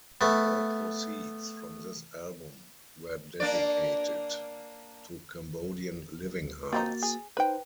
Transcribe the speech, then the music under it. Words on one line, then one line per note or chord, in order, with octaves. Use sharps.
All proceeds from this album were dedicated to Cambodian Living Arts.
A3 B3
A#3 D4 D5
D2
F3 A#3 C4 D#4 F#4 A6
G#4
D#4 B4 C5 G5